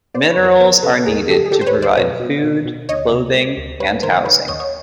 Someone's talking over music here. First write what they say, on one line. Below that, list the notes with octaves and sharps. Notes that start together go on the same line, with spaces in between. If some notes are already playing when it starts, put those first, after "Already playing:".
Minerals are needed to provide food, clothing, and housing.
B3 C5 D5
B4 C#5
F2
A#4 C5
B3 A#4 C5
C#3 A4 B4
D#2 G#4 A#4
D3 G4 A4
G#4
D3 G4 A4
C5
B4 C#5
D#2
C5 D5
B2 B4 C#5
B2
B2
B2
D2 C#5 D#5
C3
G#3
D2
G3 B4 C#5
D#3 A#4 C5
D#3 B4 C#5
D#2 C#5 D#5
C#5 D#5